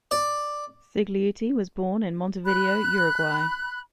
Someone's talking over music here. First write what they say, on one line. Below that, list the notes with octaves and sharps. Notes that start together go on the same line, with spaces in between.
Cigliuti was born in Montevideo, Uruguay.
D5
B5 F#6